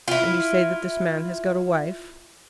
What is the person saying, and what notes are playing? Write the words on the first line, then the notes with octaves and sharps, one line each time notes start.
"And you say that this man has got a wife?"
E4 F4